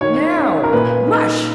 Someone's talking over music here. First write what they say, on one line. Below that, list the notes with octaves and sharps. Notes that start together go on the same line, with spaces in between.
"Now, MUSH!"
D#3 C#5
C#4
A#4
A#2 B4
D#4